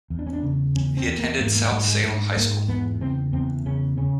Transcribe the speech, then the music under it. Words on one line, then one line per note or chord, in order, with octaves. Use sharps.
He attended South Salem High School.
E2
D4
C#4
D4
C#3
E2 C#4
C4
E2
A#3
G#2 A#3
A#3
G#2 A3
G#3
G#2 A3
G#2 A#3
E2 B3
C#3 C4
E2 C4
C#3 C#4
C#3 C#4